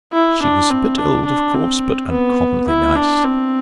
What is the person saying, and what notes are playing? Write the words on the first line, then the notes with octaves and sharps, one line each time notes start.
She was a bit old, of course, but uncommonly nice.
E4
D4
C4
D4
D4
C4
B3
E4
D4
C4